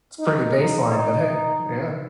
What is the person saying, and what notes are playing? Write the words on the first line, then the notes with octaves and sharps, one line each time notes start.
it's pretty baseline, but hey, yeah.
D#4
D#4